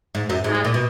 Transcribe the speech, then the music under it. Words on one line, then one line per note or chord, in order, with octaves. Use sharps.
it's not s
G#2
F#2
G#2
G#2
A#2
B2